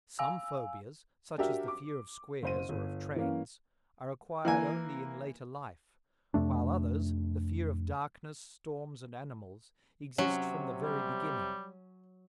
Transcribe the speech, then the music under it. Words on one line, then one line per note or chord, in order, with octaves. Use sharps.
Some phobias, such as the fear of squares or of trains, are acquired only in later life, while others, the fear of darkness, storms and animals, exist from the very beginning.
F5 G#5 E6
D4 F#4 G4 A#4 E5
D6
F#1 C5 D#7
G1
E3 A#3 C#4
E3 A#3 G#5
F2 C3 A3 D4
C3 F#3 C#4
G3